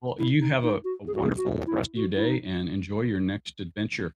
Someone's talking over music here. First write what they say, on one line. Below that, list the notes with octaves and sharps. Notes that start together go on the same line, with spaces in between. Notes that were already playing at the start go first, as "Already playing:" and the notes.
Well, you have a wonderful rest of your day, and enjoy your next adventure.
E4
D#4
D#4
F#4
G#4
F#4
G#4
F#4
E4
F#4
E4
D#4